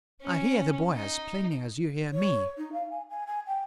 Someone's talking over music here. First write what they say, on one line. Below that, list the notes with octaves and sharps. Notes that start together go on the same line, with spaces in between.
I hear the boy as plainly as you hear me.
C#4
D#4
C#5
D#4
F5
G#5
G#5
G#5
G5